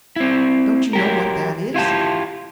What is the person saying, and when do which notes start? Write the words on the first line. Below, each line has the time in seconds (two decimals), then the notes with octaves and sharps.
Don't you know what that is?
0.16 C4 E4
0.93 F#3 G4 A#4
1.74 E4 F4 G4 A5